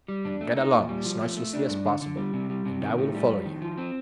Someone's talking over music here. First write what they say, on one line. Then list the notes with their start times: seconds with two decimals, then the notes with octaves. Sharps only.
"Then get along as noiselessly as possible, and I will follow you."
0.08 G3
0.25 D4
0.41 A3
0.56 D#4
0.73 A#2
0.89 G3
1.05 F3
1.21 A3
1.37 A3
1.53 D4
1.69 G2
1.85 D3
2.02 D3
2.17 G3
2.34 C3
2.50 G3
2.65 C3
2.82 D#3
2.98 A2
3.14 G3
3.30 F2
3.46 D#3
3.62 F3
3.78 C4